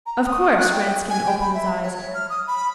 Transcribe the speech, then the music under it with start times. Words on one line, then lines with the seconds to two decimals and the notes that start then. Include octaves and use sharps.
'Of course!' Redskin opened his eyes at her.
0.06 A#5
0.27 D#6
0.58 F#6
0.72 G5
1.10 G#5
1.25 G5
1.41 B5
1.54 E5
1.83 C#5
2.14 F6
2.30 D#6
2.47 B5